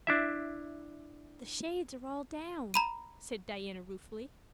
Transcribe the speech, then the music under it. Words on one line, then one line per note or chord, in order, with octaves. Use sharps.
"The shades are all down," said Diana ruefully.
D4 E4 E5
A#5 B5 D#7